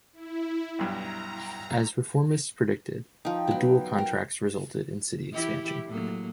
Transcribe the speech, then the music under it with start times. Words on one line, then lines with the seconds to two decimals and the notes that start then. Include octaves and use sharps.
As reformists predicted the Dual Contracts resulted in city expansion.
0.13 E4
0.79 B1 G2 A#5
3.25 F3 D#4 G5
3.47 F#3 B3
3.98 A#4
5.33 E3 E4 G4
5.86 A2 F#3 A#3